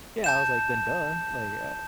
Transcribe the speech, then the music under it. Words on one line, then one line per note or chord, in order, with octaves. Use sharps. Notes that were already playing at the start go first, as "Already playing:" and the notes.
Yeah. I was like, "Then duh. Like, uh,
A5 G6 E7